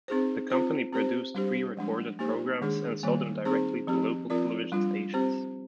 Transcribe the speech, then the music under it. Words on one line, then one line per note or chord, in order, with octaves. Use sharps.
The company produced pre-recorded programs and sold them directly to local television stations.
C4 D#4 G#4 C5
C4 F4 C5
C4 G4 C5
G3 D4 G4 C5
F3 G#3 D4
A#3 D#4 G4 C5
D#3 G#3 D4 G#4
D#3 G3 A#3
C4 D#4 G#4 C5
F3 C4 G4
F3 C4 F4 A#4 D5
G3 D4 F4
C4 G4 C5